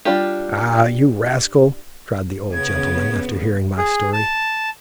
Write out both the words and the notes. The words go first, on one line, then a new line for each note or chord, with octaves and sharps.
"Ah, you rascal!" cried the old gentleman, after hearing my story.
G3 D4 F4 G4
C#3 B3 G#6
G#4
A5